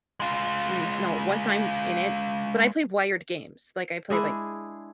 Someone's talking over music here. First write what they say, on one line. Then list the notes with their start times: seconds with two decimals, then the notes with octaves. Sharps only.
mm, no, once I'm in it but I play wired games, like I play like,
0.20 G#3 F4
4.10 G#3 D4 E4 G#4